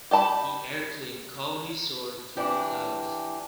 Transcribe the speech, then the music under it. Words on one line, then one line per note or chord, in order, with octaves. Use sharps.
The airplane calmly soared through the clouds.
G4 D5 A5 B5
E3 D4 G4